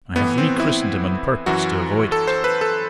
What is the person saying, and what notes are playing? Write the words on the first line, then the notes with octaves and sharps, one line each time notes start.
I have re-christened him on purpose to avoid it.
A2 E3 B3
C4
E4
F#2 E3 F#4
A4
C5
B4
A4